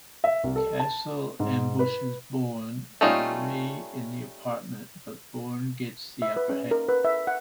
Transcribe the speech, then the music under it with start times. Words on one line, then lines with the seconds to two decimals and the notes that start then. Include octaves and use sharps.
Castel ambushes Bourne and Marie in the apartment, but Bourne gets the upper hand.
0.24 E5
0.44 C2
0.56 A4
0.79 A5
1.40 G#2
1.79 B4
3.01 G3 A3 C#4 D#4 F4
6.22 E5
6.36 B4
6.49 C#4
6.71 A#4
6.89 B4
7.05 E5
7.27 F#5